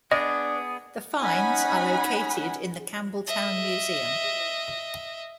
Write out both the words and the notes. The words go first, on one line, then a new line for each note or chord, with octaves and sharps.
The finds are located in the Campbeltown Museum.
B3 D4 G#4 D#5
C#4 D#4 F#5 G#5 B5
D#5 E5